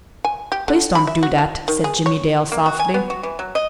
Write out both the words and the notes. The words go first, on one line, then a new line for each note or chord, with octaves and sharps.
"Please don't do that," said Jimmie Dale softly.
G#5
G4
D3
B5
E5
F#4
F5
D#3
G#4
C#5
A#3
F#4
G#5
B3
F#4
E3
F#3
D#5